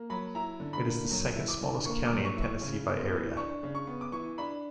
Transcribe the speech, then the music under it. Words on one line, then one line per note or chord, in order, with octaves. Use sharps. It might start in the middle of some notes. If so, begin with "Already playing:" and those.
It is the second-smallest county in Tennessee by area.
Already playing: A#3
F#3 B5
E4 A#5
D3
B5
A#3
F#3
E4
D6
D3
A#3 C#6
D6
F#3
C#6
E4
C#6
C#3
B3
E3
D4 C#6
C#3
C#6
B3
D6
E3 C#6
D4 B5